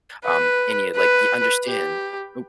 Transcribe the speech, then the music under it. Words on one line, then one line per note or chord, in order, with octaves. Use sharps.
um, and you, like you understand. O
B4
B4
G4